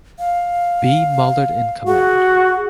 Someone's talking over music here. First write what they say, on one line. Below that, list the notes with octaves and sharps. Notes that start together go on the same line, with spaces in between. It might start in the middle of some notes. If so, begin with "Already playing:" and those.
B. Mallard in command.
F5
F#4 G#4